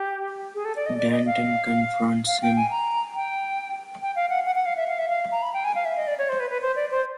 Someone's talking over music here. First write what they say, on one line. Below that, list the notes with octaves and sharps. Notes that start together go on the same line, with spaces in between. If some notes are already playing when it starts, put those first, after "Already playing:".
Danton confronts him.
Already playing: G4
G#4
A4
D5
D#5
D5
D#5
F5
F5
G5
G#5
A#5
G5
G5
F5
F#5
F#5
F#5
F5
E5
F5
E5
F5
A#5
B5
G5
G#5
F5
E5
D#5
D5
C#5
C5
B4
B4
C5
D5
C5